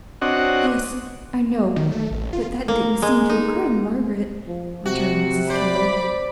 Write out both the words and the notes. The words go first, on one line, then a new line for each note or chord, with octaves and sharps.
"Yes, I know, but that didn't seem to occur to Margaret," returned Mrs. Kendall.
C4 D4 F#4 C#5 D#5 F#5
D#3
A3
A1
F4
A#3
G#3
D#4
F3
C3 F#4
C5 D5 B5 D6